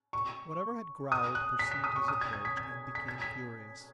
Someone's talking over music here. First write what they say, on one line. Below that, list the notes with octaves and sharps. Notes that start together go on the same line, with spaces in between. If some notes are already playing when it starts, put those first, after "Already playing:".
Whatever had growled perceived his approach, and became furious.
C#6
D#6
F#6
B6
B6
D#6
C#6
D#6
G#6
G#6
B6
G#6
B6
G#6
B6